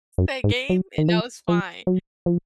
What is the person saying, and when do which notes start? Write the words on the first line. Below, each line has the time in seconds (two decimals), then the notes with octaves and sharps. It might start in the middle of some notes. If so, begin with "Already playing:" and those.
That game, and that was fine.
0.18 F#2
0.44 G#2
0.70 F#3
0.98 D#3
1.08 F3
1.48 F3
1.87 F#3
2.26 F3